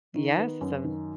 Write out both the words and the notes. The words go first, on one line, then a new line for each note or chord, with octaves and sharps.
Yes, it's a v
D#3
B3
F#2
D#3